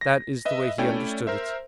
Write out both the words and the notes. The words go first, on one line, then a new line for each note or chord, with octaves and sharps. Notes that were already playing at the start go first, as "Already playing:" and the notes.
That is the way he understood it.
A#6
B4 D#5 E5
A3 C#4 E4 C#5 D5 G5
A#4 C5 E5